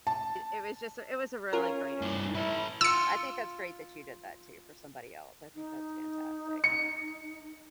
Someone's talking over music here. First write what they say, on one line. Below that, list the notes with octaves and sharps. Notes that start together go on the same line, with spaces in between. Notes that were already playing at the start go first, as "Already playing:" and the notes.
it was just a it was a really great experience. So, I think that's great that you did that too for somebody else. I think that's fantastic.
A5
C#4 F4 A#4
G2 E4
E4 A4 B4
F4 E6 C#7
D#4
C#7